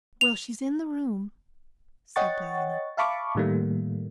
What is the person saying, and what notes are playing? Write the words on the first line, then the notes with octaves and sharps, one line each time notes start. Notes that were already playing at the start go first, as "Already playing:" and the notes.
"Well, she's in the room," said Diana.
F7
C#5 D#5 F#5 G5 C#6 A6
E5 F5 A5 B5 C#6 D6
A2 D#3 G3 A3 A#3